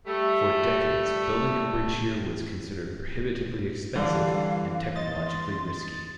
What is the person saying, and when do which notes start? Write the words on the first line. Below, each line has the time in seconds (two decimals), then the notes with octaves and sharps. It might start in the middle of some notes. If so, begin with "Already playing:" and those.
For decades, building a bridge here was considered prohibitively expensive and technologically risky.
0.07 G3 A3
3.96 D3 E3 G3 D4 F5
4.96 D#5 C6 A6